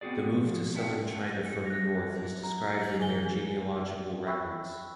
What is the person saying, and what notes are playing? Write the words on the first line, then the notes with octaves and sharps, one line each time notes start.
The move to southern China from the north is described in their genealogical records.
B3 C4 F#4 G#4 D5
F3
C#4 D4 F4 E5 F#5 G5
C#7
F#6 A#6
F#2
A#5
A2 D#3 D#4
C#3 F3 G#4 G#5 G7
D5
E5 G5 B5 C#6 E6 F#6